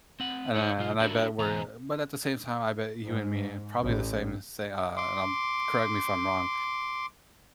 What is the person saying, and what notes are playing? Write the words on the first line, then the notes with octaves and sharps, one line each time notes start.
And I and I bet we're but at the same time, I bet you and me probably the same as say a and I'm correct me if I'm wrong,
C4 F#5
D#4 E4 C#5
B1 F4
D4 E4 F#4 A4 A#4
E2 B2 E3 G#5 A#5
G#2
A1
C6 D6